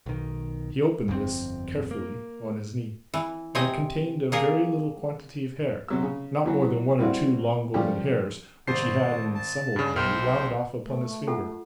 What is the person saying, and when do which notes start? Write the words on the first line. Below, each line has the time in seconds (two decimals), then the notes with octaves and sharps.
He opened this, carefully, on his knee, and it contained a very little quantity of hair: not more than one or two long golden hairs, which he had, in some old day, wound off upon his finger.
0.06 B1 D#3
1.08 G1 F2 C3 C4
1.91 A#3
3.14 E3
3.55 C3 C4 C#5 D#5 G#5
4.32 A#3 G#4 A#4
5.88 C3 F#3 E6
6.03 C#3
6.46 E3 F#3
6.99 G3 C4 E4 F#4
7.74 C#3 F3 G3 A#3 G4
8.68 G#1 C5 A5 C7
9.35 A5
9.76 G2 C#3
9.96 B1 C5 G5 F6
10.85 A3
11.27 F4 A4 F#5